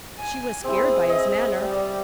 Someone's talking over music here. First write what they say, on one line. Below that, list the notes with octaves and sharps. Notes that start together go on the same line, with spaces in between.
She was scared by his manner.
G#5
C4 E4 G#4
D#5 E5
G3